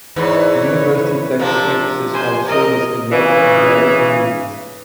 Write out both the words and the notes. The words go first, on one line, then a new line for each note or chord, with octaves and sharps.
The university places emphasis on service in local and global communities.
E2 G#2 E3 B4 C#5
C3 F3 A#3 D4
C5 G#5
A#4 D#5
C#3 E3